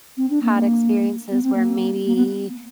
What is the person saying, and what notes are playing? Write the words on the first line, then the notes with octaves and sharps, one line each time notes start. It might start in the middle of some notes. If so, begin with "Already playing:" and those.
had experiences where maybe,
C4
D4
A#3
B3
C4
A#3
A#3
B3